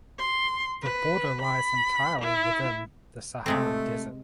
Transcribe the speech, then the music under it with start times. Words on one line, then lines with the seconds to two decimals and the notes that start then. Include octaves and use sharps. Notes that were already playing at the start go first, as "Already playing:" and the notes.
The border lies entirely within the Sahara desert.
0.19 C6
0.82 B4
1.41 B5
2.21 E4
3.46 C3 G#3 A3 C4